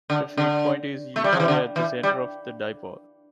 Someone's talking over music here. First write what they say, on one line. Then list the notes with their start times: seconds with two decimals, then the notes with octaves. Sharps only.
The feedpoint is usually at the center of the dipole.
0.10 D3
0.37 D3
1.16 A3
1.24 G3
1.33 F3
1.40 E3
1.48 D3
1.76 E3
2.03 G3